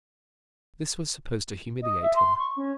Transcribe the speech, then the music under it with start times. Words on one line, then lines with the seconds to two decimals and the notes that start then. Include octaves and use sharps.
This was supposed to humiliate him.
1.81 D#5
2.01 E5
2.15 C6
2.38 C#6
2.56 C#4